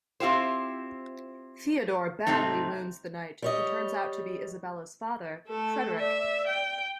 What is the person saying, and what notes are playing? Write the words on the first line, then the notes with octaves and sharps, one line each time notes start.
Theodore badly wounds the knight, who turns out to be Isabella's father, Frederic.
C4 E4 F4 G4 C5
G#2 C3 A3 C4 D#4
G3 C#5 D#5
A3 A4
D5 E5
G5